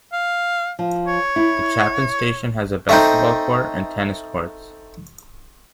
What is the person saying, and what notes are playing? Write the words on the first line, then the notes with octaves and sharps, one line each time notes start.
The Chapin Station has a basketball court and tennis courts.
F5
F3
C#5
E4
A3 C4 D#4